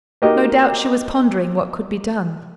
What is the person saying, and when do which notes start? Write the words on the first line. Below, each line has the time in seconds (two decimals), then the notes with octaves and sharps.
No doubt she was pondering what could be done.
0.22 A#3 D#4 F#4 G4 D#5